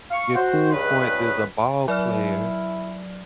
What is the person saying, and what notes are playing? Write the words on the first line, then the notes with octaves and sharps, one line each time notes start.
your cool points as a ball player
F5 C#6
F#4 C5
C#2 G2 D#3 B4
F#3 E4 D5 F6